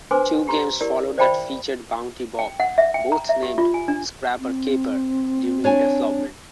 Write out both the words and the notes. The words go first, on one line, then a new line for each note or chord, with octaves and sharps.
Two games followed that featured Bounty Bob, both named "Scraper Caper" during development.
D4 B4 C5 G#5 C6 D6
G4 A#5 C6
E4 G4 A#4 D5
C5 D5 E5 G5 A5 B5
G5
F#5
E5
G5
A#5
E5
G4
F4
G#5
D4
C4
D4 C#5 G#5